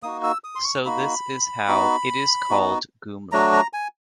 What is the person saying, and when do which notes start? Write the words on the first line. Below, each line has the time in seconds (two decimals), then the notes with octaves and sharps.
So this is how it is called Gumla.
0.03 A#3 D#4 F#4 D#6
0.23 E6
0.44 D#6
0.55 C6
0.64 C#6
0.85 A#3 D#4 F#4 B5
1.68 B3 D#4 F#4
2.50 B3 D#4 F#4
3.32 F#3 A3 D4 F#4 A#5
3.53 A#5
3.73 G#5